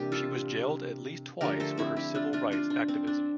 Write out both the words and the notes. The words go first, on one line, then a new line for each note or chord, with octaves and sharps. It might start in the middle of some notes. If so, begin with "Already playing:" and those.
She was jailed at least twice for her civil rights activism.
Already playing: C3 E3 A#3 D4 G4
F4 A4
D3 F3 A3 G4 A#4
A4 C5
C4 E4
E4 G4
D4 F4
D4 F4
D4 F4
D4
C4
D4